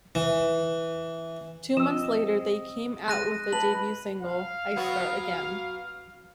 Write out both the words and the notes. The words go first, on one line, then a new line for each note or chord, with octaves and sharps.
Two months later they came out with the debut single "I start again".
E3
F3 C4 D#5 E6 E7
G#3 C6 F#6 A#6 D#7
B4 A5 F#7
F5
F#3 B3 F#4